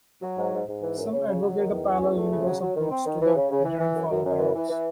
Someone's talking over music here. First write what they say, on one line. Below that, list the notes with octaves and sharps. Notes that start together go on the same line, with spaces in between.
Some advocate a parallel universe approach to the grandfather paradox.
F#3
G#2
G#2
G#2
E3
F#2
C#3
C#3
F#3
D#3
E2
C#4
E2
A3
C#3
F#3
F#3
D#3
C4
D#3
E3
C#3
C#3
E3
E3
F#2
F#2
F#2
E3
E3
E3